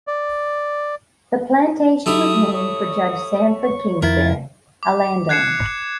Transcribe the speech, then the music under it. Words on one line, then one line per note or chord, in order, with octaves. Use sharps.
The plantation was named for Judge Sanford Kingsbury, a landowner.
D5
F#3 A3 E4 G4 D#6
C#5 D#6
C#6
F2 E4 A#4 A6
D6
F#6 G#6 C7 C#7 E7